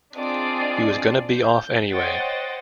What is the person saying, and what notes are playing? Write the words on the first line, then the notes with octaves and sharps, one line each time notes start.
He was gonna be off anyway!
C4 D4 F4 G#4 D5 D#5
G6
C5 C#5 D#5 F#5 G5 A6